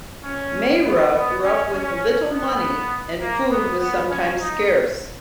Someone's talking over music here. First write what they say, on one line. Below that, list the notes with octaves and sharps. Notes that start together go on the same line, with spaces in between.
Mayra grew up with little money and food was sometimes scarce.
C#4
B3
B3
C#4
C#4
B3
A#3
B3
B3
C#4
D#4